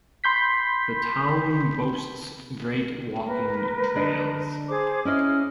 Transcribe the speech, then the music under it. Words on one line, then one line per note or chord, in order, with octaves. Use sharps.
The town boasts great walking trails.
B5 C6 G6 B6
A#3 A#4 B4
D3 D4 D#5
G#4 C5 D6
C#4 E4 D#5 D#6 F6